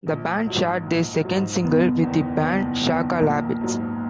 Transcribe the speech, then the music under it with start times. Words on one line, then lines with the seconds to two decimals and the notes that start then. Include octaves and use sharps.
The band shared their second single with the band Shaka Labbits.
0.07 A#1
0.47 G#2 F#3
0.86 A#1
1.25 G#2 F#3
1.64 F#1 B3
2.03 E2 D#3
2.43 F#1
2.83 E2 D#3
3.21 A#1 A#3
3.61 G#2 F#3